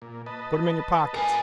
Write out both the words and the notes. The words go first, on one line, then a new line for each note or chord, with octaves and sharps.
"Put 'em in yo' pockets."
A#2
B4 D#5 A5
A#4 G#5